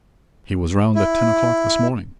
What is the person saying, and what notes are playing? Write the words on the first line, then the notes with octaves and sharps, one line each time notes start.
"He was round at ten o'clock this morning."
E4